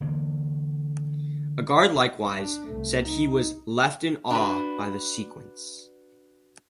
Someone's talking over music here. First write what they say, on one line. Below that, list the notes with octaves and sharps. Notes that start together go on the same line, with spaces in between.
Agard likewise said he was "left in awe" by the sequence.
D3 E3 A#3
D4
C2 A3
D#4
D4 F#4 B4